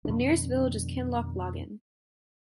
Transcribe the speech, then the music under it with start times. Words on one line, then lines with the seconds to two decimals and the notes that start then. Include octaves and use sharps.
The nearest village is Kinloch Laggan.
0.05 F2 B2 D#3 D4